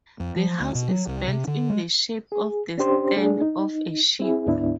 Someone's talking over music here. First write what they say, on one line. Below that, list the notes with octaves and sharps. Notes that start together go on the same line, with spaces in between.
The house is built in the shape of the stern of a ship.
F2
F3
D2
B2
F#3
C2
C3
D3
G#3
G#4
C#4 D4 G4 C5 C6
A3 D4 G#4
D#4
C4 E4 G#4
D2 G#2 B3 D4 E4